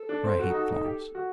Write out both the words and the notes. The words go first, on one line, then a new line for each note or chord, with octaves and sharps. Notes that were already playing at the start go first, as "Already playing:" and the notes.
For I hate Florence.
Already playing: A4
D4
C4
F#4
D#4
F#4
D#4
G4
F#4